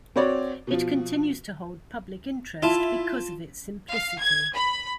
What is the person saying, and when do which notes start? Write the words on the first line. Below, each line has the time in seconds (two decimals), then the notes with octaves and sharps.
It continues to hold public interest because of its simplicity.
0.16 C4 F#4 C#5 D5
0.67 B2 F3
2.62 E4 F4 A5
3.90 F5
4.21 G#6
4.55 B5